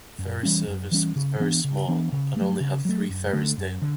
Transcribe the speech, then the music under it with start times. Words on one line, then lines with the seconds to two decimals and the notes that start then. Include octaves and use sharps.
Ferry service was very small and only had three Ferries daily.
0.19 F#2
0.43 E3 G3 C#4
0.67 F#2
0.92 E3 G3 C#4
1.16 C#3
1.40 E3 B3 D4
1.64 C#3
1.88 E3 B3 D4
2.12 C#3
2.36 F#3 A3
2.60 C#3
2.85 F#3 A3
3.09 F#2
3.33 D3 A3
3.58 F#2
3.82 D3